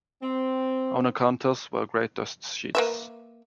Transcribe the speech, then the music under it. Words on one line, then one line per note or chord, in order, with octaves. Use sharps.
Over the counters were great dust sheets.
C4
A#3 B4 E5